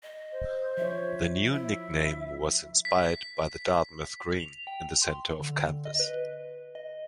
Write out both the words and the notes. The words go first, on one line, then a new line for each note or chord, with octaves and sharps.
The new nickname was inspired by The Dartmouth Green in the center of campus.
D#5
C5
F3 C#5 E5
E4 E5
B6
F7
G5
C6
D3
D#5
B4
D#5